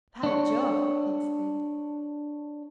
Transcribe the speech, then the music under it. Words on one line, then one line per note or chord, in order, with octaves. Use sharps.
"By Jove!" he exclaimed.
D4 C#5